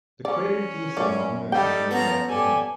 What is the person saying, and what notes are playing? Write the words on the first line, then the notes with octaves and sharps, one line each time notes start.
The crater Thiessen on the Moon is named after him.
C#4 D5
F#2 C#5 D5
G3 D#4 A4 G5
F3 B3 C#4 A#5
G4 A4 D5 G#5